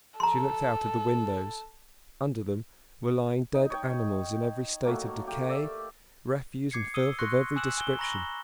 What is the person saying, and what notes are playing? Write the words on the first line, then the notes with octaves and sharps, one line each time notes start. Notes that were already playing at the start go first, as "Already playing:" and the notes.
She looked out of the windows; under them were lying dead animals in every state of decay, refuse and filth of every description.
A4 A#5 C6
D#4
C#5 G5
F#3 A3 A#3
G4
D5 E5
D6 G#6 C7 C#7
D#6 E6 D#7 G7
C6 C#6 F#6 A#6 C#7
G#5 D6 E6 F#6 E7 F#7
G#5 G7
A#5 B5 C#6 A#6 F#7 G7